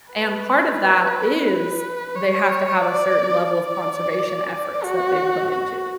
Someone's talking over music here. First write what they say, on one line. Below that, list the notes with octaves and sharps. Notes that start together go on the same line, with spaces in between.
and part of that is they have to have a certain level of conservation efforts that they put into.
B4
C#5
D5
D5
F#4
F#4